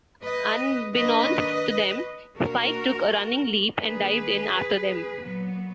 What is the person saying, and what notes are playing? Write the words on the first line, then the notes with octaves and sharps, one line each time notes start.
Unbeknownst to them, Spike took a running leap and dived in after them.
B4 D#5
D#3 A#3 D4 B4 D#5
B2 A#3 D4 F#4 A#4
D#3 A#3 D4 G#4 B4
A#2 F#3 B3